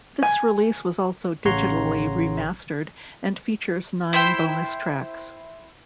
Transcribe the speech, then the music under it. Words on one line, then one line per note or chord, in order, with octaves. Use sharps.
This release was also digitally remastered, and features nine bonus tracks.
G#5
A1 C#3 C#5 F#5 A#5 C6
E4 C5 G5